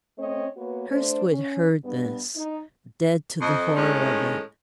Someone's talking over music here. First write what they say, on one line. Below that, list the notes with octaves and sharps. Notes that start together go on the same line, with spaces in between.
Hurstwood heard this, dead to the horror of it.
A3 C4 C#4 C#5 D#5
A#3 B3 F#4 B4 C#5
A3 D4 C5
C#4
G2 B3
D#4
F2 D#5
A2 D#3 G#3 C#4